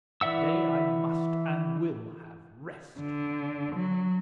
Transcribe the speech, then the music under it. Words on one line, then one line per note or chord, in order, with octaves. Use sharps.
To-day I must and will have rest.
E3 D5 E5 F#5 E6
D3
F#3